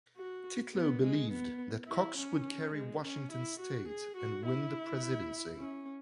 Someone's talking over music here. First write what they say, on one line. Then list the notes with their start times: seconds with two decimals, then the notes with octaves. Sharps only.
Titlow believed that Cox would carry Washington state and win the presidency.
0.17 F#4
0.74 B3
1.03 G#3
1.31 B3
1.88 E4
2.17 C#4
2.74 G#3
3.03 C#4
3.31 E4
3.59 F#4
3.88 G#4
4.16 F#4
4.45 E4
5.59 C#4